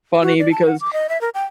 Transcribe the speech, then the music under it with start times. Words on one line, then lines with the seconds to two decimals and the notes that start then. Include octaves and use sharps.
funny because
0.22 F#4
0.39 D5
0.52 A5
0.67 F#5
0.80 D6
0.93 D#5
1.09 E5
1.21 A#4
1.34 G5